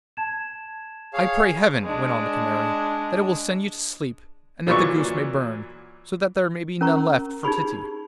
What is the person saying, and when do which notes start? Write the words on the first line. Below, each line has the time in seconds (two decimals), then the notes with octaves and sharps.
'I pray Heaven,' went on the Canary, 'that it will send you to sleep, and that the goose may burn, so that there may be none left for Titty.'
0.17 A5 G#6 E7
1.14 G#4 C#5 F5
1.84 G#3 D4
4.67 A#2 E3 F#3 D5 C#6
6.81 C#4 A#4 A#5 C#6
7.43 D#4 G4 G#4 B5 C#6